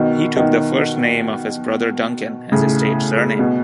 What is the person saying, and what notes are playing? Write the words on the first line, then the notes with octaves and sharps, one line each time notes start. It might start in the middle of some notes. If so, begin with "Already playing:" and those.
He took the first name of his brother Duncan as his stage surname.
Already playing: B2 D#3
B2 D#3
A2 C#3
B2